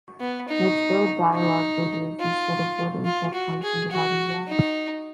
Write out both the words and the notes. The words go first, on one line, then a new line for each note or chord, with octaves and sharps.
Let's build dialogue bridges instead of building checkpoints and dividing walls.
B3
D#4
D#4
F4
F4
F#4
G#4
F#4
D#4